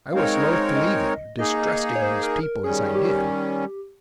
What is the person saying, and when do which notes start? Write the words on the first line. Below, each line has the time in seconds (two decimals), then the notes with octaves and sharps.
I was loath to leave him, distrusting these people as I did.
0.13 G#3 C4 D#4 A#4 C#5 F5
0.76 D#5
1.38 A#3 D#4 G#4 D#5
1.96 C#5
2.02 C5
2.23 A#4
2.43 A#4
2.64 D#3 G3 C#4 G#4
2.95 G4